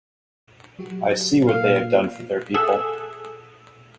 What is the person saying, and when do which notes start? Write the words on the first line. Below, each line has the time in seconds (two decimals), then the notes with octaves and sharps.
I see what they have done for their people.
0.79 F#3 F#4 G4
1.47 A#2 F5
2.54 G#4 A4 E5 F#5